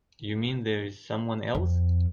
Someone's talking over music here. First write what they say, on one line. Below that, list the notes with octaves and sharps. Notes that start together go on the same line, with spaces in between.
You mean there's someone else?
F2